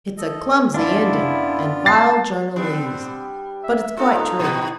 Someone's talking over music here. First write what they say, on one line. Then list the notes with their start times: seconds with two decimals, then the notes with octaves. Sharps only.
'It's a clumsy ending and vile journalese, but it's quite true.
0.17 A4 D#5
0.74 F#2 B3 D4 E4 F4
1.86 A5 A6 C7
2.56 G3 B3 C4 D4
3.63 E5
3.97 D#4 F4 A4
4.39 A#2 E3